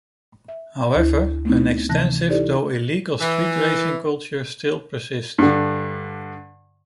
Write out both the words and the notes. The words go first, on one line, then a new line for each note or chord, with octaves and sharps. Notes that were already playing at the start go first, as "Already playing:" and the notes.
However, an extensive though illegal street racing culture still persists.
E5
D2 E4
A3 B3 C4 D#4 E4
C3 E3 A5 F#6 A#6
D#4 E4 G4 A4 C5 D5
E3
G2 D3